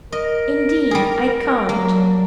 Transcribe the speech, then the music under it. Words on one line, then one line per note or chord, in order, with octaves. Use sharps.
'Indeed, I can't.
A#4 D#5
G3 G#4
F#3 A#3 D4